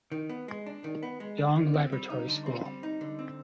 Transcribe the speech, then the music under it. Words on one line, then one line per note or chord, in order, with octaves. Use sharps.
Yonge Laboratory School.
D#3
B3
G#3
D4
D#3
B3
G#3
D4
D#3
C4
G3
D#4
D3
C4
G3
D#4
D3
C4